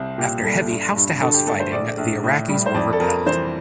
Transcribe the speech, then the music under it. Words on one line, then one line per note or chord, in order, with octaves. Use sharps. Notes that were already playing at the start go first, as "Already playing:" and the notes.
After heavy house-to-house fighting, the Iraqis were repelled.
Already playing: C2 C4
A#2 G4
G3 A4
G2
G2
D3 A4
G4
A3 A4
C5
A#1 D5
A#1
A2
G3
C5
F2 D5
A4
F2 A#4
E3 C5